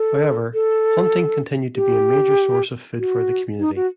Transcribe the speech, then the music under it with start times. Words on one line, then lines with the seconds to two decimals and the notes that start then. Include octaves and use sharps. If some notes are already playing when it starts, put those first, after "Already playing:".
However, hunting continued to be a major source of food for the community.
Already playing: A4
0.54 A4
1.76 G4
2.99 F#4
3.60 D#4
3.76 F#4